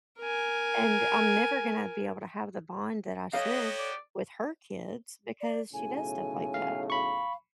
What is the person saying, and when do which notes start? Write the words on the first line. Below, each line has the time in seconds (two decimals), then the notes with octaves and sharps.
And I'm never gonna be able to have the bond that I should with her kids because she does stuff like that.
0.19 A#4 G#5
3.33 B3 F#4 G4 A4 C#5 D#5 F5
3.79 D5
5.41 D5
5.74 B1 A2 C#3 G#5
6.54 F5
6.90 F5 B5 C#6